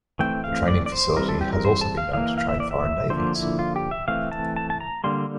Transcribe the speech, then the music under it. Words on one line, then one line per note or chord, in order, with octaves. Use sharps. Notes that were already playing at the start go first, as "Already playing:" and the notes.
The training facility has also been known to train foreign navies.
E3 A3 C4 G5
F5
D5
D5
C5
E3 G3 C4 A#4
A4
G4
A#4
C5
A5
F5
E3 A#3 F5
F5
E5
D5
E5
D3 F3 A#3 C5
E4
F4
G4
E5
E3 A3 C4 F5
A5
A5
A5
A#5
D3 G3 A#3 C6